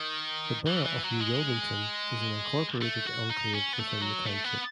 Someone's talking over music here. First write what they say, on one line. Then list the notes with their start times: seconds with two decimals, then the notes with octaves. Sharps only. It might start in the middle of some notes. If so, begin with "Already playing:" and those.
The borough of New Wilmington is an incorporated enclave within the township.
Already playing: D#3
0.67 E3
0.85 E3
1.03 F#3
1.21 G#3
2.82 A3
3.07 F#4
3.30 D#4
3.55 C#4
3.73 B3
3.79 A3
4.02 F#3
4.27 A3
4.44 B3